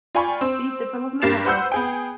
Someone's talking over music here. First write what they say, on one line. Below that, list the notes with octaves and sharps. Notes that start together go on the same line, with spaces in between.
See Development above.
F4 D5 G5 G#5 B5 C#6
C4
G2 A#3 G4 A6 C7 E7
B4 C5 F#5 E6 G6
B3 G#4 G5